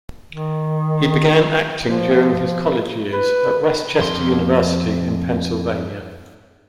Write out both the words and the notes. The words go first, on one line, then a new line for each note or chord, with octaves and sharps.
He began acting during his college years at West Chester University, in Pennsylvania.
D#3
F3
B4
F2 C6